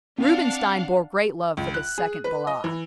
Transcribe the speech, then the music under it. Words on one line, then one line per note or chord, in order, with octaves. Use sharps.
Rubinstein bore great love for this second Ballade.
C4 D4 F5 F#5
C#2
F#6
G#4
B4
D#5
E3